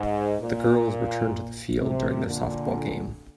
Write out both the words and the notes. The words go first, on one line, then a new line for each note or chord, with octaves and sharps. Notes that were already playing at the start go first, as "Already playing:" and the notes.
The girls return to the field during their softball game.
Already playing: G#2
A#2
C3
A#2 D3